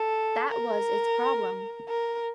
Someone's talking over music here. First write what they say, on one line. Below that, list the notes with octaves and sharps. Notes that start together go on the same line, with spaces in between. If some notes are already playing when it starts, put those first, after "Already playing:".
That was its problem.
Already playing: A4
A#4
A#4